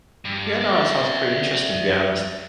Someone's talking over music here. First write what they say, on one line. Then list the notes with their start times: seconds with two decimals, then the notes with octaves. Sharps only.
Yeah, no, that sounds pretty interesting be honest.
0.25 G2
0.61 D5 E5